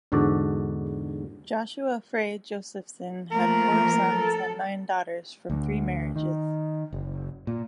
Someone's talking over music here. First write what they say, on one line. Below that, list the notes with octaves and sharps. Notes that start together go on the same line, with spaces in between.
Joshua Frey Josephson had four sons and nine daughters from three marriages.
E2 G#2 D3 F#4 A4 D5
F3 A3 A#3 A#4
A4
D2
D#3
F#1
A#2